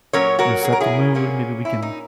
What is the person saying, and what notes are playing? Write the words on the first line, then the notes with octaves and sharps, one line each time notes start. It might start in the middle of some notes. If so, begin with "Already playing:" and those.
you know, set the mood. Maybe we can
A#2 F#3 C#4 A#4 C#5
F#4 A#4
G#4
A#4
E4 G#4
A#2 A#3 C#4
E4
D#4